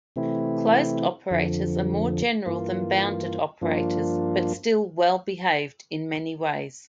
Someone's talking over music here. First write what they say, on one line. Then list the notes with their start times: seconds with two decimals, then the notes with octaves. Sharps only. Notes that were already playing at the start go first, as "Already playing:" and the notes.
Closed operators are more general than bounded operators but still "well-behaved" in many ways.
0.16 C3 E3 A3 C4 E4
1.31 F2 D3 F3
2.46 G2 E3 A#3 F4
3.61 G2 F3 A#3 D4 F4